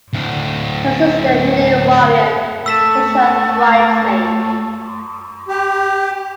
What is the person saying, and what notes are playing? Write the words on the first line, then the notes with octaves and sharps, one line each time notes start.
Her sister Minnie Warren was her bridesmaid.
D2 A2
A3 A5 C#6 E6 B6 E7
G4